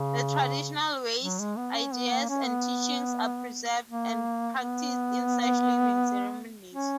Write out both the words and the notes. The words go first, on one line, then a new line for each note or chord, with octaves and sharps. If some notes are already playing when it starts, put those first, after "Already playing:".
The traditional ways, ideas, and teachings are preserved and practiced in such living ceremonies.
Already playing: C#3
F#3
G#3
B3
C#4
B3
A#3
C#4
B3
A#3
B3
C#4